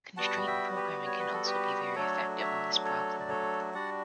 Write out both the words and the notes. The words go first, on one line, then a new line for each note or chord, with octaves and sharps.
Constraint programming can also be very effective on this problem.
G3 B3 F#4 F#5 A5
E5 G5
G4 B4
C#5
B4
A4
G4 B4
F#3 A3 D4 A4 C#5
C#5 E5
A4 C#5
D5
A4 C#5
G3 D4 F#4 D5 F#5